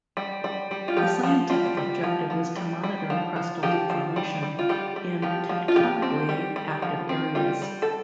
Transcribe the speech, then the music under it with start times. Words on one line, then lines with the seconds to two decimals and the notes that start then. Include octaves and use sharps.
The scientific objective is to monitor crustal deformation in tectonically active areas.
0.17 G3
0.44 G3
0.71 G3
0.88 F4
0.97 F3 G4
1.23 F3
1.50 G3 F4
1.77 G3
2.04 F3
2.30 F3
2.56 G3
2.84 G3
3.10 F3
3.36 F3
3.63 F3 G4
3.90 F3
4.16 G3
4.43 G3
4.59 F4
4.69 G3 G4
4.96 G3
5.22 F3 G4
5.49 F3
5.68 F4
5.76 F3 G4
6.02 C4
6.29 G3
6.56 G3
6.82 F3
7.09 C4
7.35 G3 F4
7.62 G3
7.82 A4